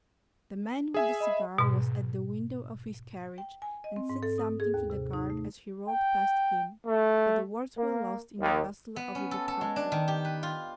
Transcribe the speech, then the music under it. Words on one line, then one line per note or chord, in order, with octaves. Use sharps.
The man with the cigar was at the window of his carriage, and said something to the guard as he rolled past him, but the words were lost in the bustle of the departure.
G#4 E5 G#5
D#5 B5
G#2 B2
G5
G#5
D#5
C4
G#2
A4
D#6
G#4
D#2
C3
D#4
A3
G5
A3
A#3
D#2
B3
C#4
A4
A4
G#3
D4
D#3
G4
B4
F4